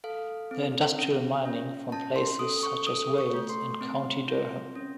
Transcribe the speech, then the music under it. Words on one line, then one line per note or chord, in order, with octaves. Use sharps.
The Industrial mining from places such as Wales and County Durham.
A4 F5
C4
C#4
C#4
C#4 A5
C6
A4 D#6
C#6
A4 D#6
C#6
A3
C6
C4
F4
C#4